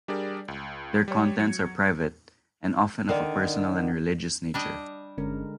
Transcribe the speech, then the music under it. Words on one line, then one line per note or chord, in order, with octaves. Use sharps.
Their contents are private, and often of a personal and religious nature.
G3 D4 G4 G#4 A#4 D5
C#2
G3 C#5
F#3 G#6 C#7
D3 D#3
G3 D4 D#5
G1 D3 G#3 C#4 A#4